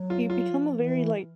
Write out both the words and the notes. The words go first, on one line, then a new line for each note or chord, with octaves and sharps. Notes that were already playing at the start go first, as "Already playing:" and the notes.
you become a very like
Already playing: F#3
F4
F4
F3
E3